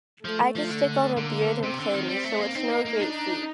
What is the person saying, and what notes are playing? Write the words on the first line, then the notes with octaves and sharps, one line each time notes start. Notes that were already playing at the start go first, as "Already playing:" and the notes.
I just stick on a beard and play me, so it's no great feat.
F3 A3
F3
D3
D3 A#3
C3 C4
D3
D#3
G3
A3
A#3
C4 D#4
A#3
A#3
D4 D#4